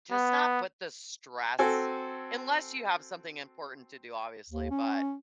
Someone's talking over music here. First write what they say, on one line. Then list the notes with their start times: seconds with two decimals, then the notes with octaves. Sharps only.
just not put the stress unless you have something important to do, obviously, but
0.12 B3
1.59 C4 F#4 A4 G#5
4.50 D#2
4.71 C#4